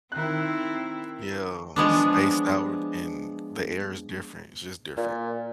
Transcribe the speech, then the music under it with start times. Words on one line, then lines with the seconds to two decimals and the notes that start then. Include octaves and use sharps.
Yeah, spaced out and the air is different it's just different.
0.12 D#3 C4 E4 F#6
1.76 F3 G#3 B3 D4
4.97 A#2